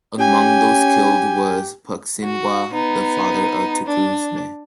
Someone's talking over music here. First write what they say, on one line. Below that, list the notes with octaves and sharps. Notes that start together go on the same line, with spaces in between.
Among those killed was Pucksinwah, the father of Tecumseh.
C#4 G4 G#5
F#4
B3 D#4
D4